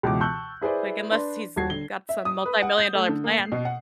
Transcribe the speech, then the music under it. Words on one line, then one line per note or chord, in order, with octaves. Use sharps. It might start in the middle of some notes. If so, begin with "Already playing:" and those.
like unless he's got some multi-million dollar plan.
C#2 B2 E3 D6
A5 C#6 E6 F#6 G6
E4 G#4 B4 C5 D5
D4 B4 D5 C6
D#1 F#4 A5 G#6 C7
D3 G7
E5
D#6
B4
F#5
G6
A3
D3
A#3
C7
B2
F#5